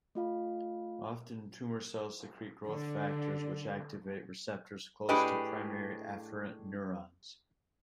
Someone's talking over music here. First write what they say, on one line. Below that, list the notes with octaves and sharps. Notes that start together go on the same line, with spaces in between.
Often tumor cells secrete growth factors which activate receptors close to primary afferent neurons.
A3 F4 F5
D3
A2 D4 G4 G#4 B4 D#5